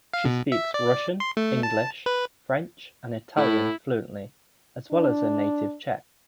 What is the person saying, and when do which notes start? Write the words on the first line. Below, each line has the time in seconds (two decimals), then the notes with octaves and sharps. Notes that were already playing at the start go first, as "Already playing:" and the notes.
She speaks Russian, English, French and Italian fluently, as well as her native Czech.
0.14 F5
0.25 B2
0.52 E5
0.74 D5
1.20 C6
1.37 A3
1.63 A5
2.06 B4
3.37 A2 E4
4.91 D4